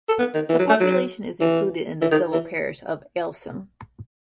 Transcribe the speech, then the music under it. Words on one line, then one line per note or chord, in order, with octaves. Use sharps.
The population is included in the civil parish of Aylsham.
A4
B3
D#3
E3
F#3
A3
F#3
E3
E3
D#3
E3